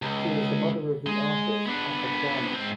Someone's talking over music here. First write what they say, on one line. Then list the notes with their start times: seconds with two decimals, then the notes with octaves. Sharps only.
She is the mother of the artist Atta Kwami.
0.02 C#2
1.06 G#3
1.66 B3 D4
2.54 G#2 C4